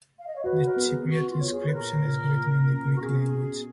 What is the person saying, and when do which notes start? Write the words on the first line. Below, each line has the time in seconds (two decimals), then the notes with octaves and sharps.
The Cypriot inscription is written in the Greek language.
0.19 F5
0.27 D#5
0.35 C#5
0.44 F#4 B4
0.65 A#4
0.76 B3
0.87 G#4
1.08 B3 F#4
1.29 F4
1.41 F#4 C#5
1.51 G#4
1.67 B4
1.72 A#2 A#4
2.05 A#2
2.36 A#2
2.70 C#4
2.96 F#4
3.01 B2 G#4
3.34 B2